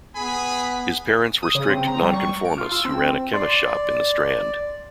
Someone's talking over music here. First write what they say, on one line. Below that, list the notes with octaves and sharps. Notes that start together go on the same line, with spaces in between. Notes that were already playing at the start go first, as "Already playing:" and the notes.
His parents were strict non-conformists who ran a chemist's shop in the Strand.
B3 G#4 G#5 B5
D#6
C#3
C4
A#5
G3
C#6
D7
F4
E6
C4
D5 C6